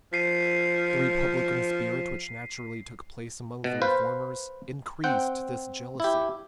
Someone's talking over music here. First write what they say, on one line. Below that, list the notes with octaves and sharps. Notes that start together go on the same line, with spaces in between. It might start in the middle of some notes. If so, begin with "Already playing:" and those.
The republican spirit which naturally took place among the reformers, increased this jealousy.
F3 B6 C7 D#7
B2
B4 C5 F5
C4 F#5 G5
E4 G4